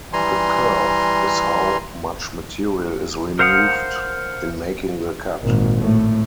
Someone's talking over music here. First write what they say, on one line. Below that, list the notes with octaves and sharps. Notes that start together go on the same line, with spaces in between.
The kerf is how much material is removed in making the cut.
E3 G3 G#5 A#5 C6
A#4 C5 F5 F#5 D#6
G#1 A#2
A2 A3